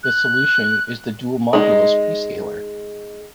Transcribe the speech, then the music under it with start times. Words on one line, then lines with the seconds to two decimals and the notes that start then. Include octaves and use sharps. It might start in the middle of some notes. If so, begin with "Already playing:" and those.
The solution is the dual modulus prescaler.
0.03 F#6
1.53 G#3 D#4